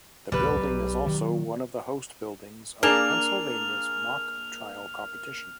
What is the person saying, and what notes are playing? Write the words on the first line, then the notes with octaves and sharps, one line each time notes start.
The building is also one of the host buildings of Pennsylvania's Mock Trial Competition.
A1 D2 C3 G3 B4
B1
D#3 F#3
A#3 D4 G#4 A5 F6 F7